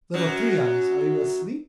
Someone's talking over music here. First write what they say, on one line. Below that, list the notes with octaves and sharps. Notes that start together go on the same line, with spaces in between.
'Little Three-eyes, are you asleep?'
F#2 F#3